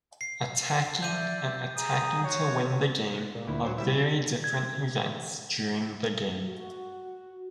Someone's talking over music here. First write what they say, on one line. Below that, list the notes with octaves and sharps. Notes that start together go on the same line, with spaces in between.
Attacking and attacking to win the game are very different events during the game.
C7
D5 E5 G6 D#7
G#4 A#5 D#6
F#4 C#5
A#2
D2 E4
F#3 C5 C#5
G3 E4 E5
G#6
F#4